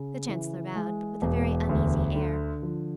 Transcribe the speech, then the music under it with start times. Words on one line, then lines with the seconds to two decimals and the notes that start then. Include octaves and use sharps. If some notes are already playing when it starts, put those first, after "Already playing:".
The Chancellor bowed, but with a very uneasy air.
Already playing: C#3
0.28 E3
0.75 G#3
1.22 E1
1.69 D2
2.16 D3
2.62 F3